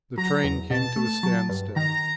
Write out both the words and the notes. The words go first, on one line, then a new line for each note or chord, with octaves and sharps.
The train came to a standstill.
F#3 A#5
E2
B2 A5
A3
F#3
G2
D#3 A#5